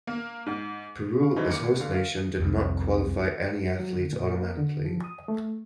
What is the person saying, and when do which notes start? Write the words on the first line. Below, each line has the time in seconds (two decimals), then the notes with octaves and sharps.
Peru as host nation did not qualify any athletes automatically.
0.07 A#3
0.46 G#2
1.20 F5 C#6
1.36 D3 E3 F#3 C#4 D#4
1.49 D#2 A#3 D6 C#7
1.63 D2
1.79 G1 D3 F5
1.94 F5
2.39 C2 F2
3.80 F#3
3.97 D3
4.13 A#2
4.35 A#3
4.57 D3
4.85 F3
5.04 D#6
5.28 A3